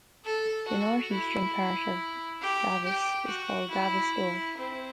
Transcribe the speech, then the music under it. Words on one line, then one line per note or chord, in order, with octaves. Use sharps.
The north-eastern part of Davos is called Davos Dorf.
A4
F#4
E4
G4
G4
F#4
E4
C4